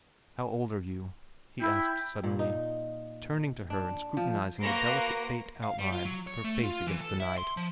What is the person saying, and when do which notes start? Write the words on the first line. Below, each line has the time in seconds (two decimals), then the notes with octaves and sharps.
'How old are you?' he asked suddenly, turning to her and scrutinising the delicate faint outline of her face against the night.
1.61 E4 E5 G5
2.24 A#2
2.39 D#4
3.70 D4
4.17 F3
4.60 A#3 F#4 B4 C6 A#6 D7
5.64 F5
5.79 G3
5.92 F4
6.05 F#3
6.27 C#5
6.44 A3
6.63 F4
6.87 E3
7.01 A4
7.20 E4
7.38 C6
7.57 F3